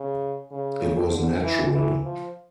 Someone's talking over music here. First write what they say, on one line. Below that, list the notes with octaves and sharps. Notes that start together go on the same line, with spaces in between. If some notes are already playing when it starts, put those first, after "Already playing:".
It was natural.
Already playing: C#3
C#3
D3
E3
E3
F3